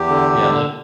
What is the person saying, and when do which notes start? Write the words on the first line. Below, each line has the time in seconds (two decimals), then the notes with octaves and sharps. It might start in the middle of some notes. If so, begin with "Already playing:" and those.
Yeah, like
Already playing: E2 G4
0.08 D3
0.38 D3